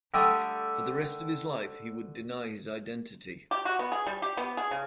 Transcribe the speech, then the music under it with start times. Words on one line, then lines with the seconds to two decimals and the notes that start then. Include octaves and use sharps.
For the rest of his life he would deny his identity.
0.14 D3 G3 A3 G4 D#6
3.51 G4
3.65 F#4
3.79 B3
3.92 G#4
4.07 G3
4.22 G4
4.37 B3
4.57 G#4
4.71 C#3